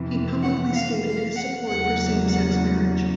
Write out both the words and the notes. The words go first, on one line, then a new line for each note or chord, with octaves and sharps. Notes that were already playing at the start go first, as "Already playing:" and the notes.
He publicly stated his support for same-sex marriage.
Already playing: F2 C3 E3
F#5
F5
F5
F#5
E2 C#3 F#3 A#3 F#5
F#5